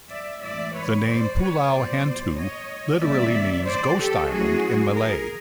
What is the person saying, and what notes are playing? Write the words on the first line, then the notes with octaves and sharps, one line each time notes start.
The name Pulau Hantu literally means "Ghost Island" in Malay.
D5 E5
A2 E3 G#3 D5 E5
B4 C#5
C5 D5
B4 C#5
A#2 F#3 B3 C5 D5
C#5 D#5
C3 D#3 G3 A#3 C#4 D5 E5
C5 D5
G4 A4
F#3 A3 C#4 E4 F#4 G#4
G#4 A#4